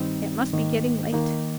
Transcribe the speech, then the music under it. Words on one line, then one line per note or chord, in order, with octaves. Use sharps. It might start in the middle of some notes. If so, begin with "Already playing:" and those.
It must be getting late!
Already playing: G2 D#3 G3 C4 D#4
G#2 D#3 A#3
D#3 A#3 D#4